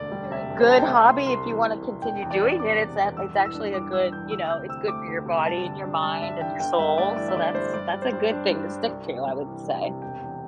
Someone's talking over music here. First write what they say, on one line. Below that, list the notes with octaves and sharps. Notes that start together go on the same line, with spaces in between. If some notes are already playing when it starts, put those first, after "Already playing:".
That's a very good hobby if you wanna continue doing it. It's a it's actually a good, you know, it's good for your body and your mind and your soul. So that's that's a good thing to stick to, I would say.
Already playing: E1 D2 D5
G3
C3 E5
E1
C5
D2 A5
G5
C2 E5
C3 C6
C2 C6
E3
C2
C3
E1 G5
E2
D5
E1
C3 D6
E1
E2
G2 E6
E3
E6
D4
G3 D6
G2 E6
E3 G6
D2 E6
C3 G6
C4 E6
A3 D6
D2
C3
G2 A5
D3
D4
G3 A5
G2 E5
D3 G5
G1 G5
G2 E5
A3 D5
E3 D5
E5
G1 D5
G2 C5
G2 D5
G3
C5
G2
D4
G2
G3
C2
C3
G3
E3
C2
C3
E1 G5
E2